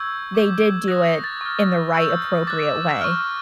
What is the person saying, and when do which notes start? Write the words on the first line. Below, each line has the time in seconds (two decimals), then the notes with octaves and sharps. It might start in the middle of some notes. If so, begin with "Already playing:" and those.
they did do it in the right, appropriate way.
Already playing: C#6 E6 G6 G#6
0.35 D6 G6
0.88 D#6 F#6 A#6
1.06 A#6
1.24 A6
1.41 C#6 F6
1.94 C#6 E6 G6
2.47 D6 F#6 A6
3.01 C#6 F6